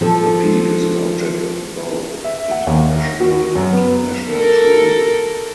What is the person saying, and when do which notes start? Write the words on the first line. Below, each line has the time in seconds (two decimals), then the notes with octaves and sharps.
The peak is an object of both international and national tourism.
0.01 F3 A4
2.24 E5
2.51 F#5
2.67 D#2
3.20 F#4
3.55 F#2
3.73 B3
4.29 A4 A#4